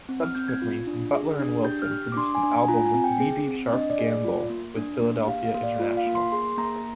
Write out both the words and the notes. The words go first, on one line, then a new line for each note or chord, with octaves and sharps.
Subsequently, Butler and Wilson produced an album with Dee Dee Sharp-Gamble with Philadelphia International.
C4
F6
C4 G6
G#6
F4
D4
G#4
D4
G4 G6
F6
G4
D6
D4 C6
G#5
D4
G#5
F4 A#5
G#5
C4
G5
G#4
C4
D4 D#5
D5
G#4
D5
F4
A#3
D4
A#3
G4 F5
F5
A#3
D5
F4
F5
A#3
C6
G#4 C6
A#3 A#5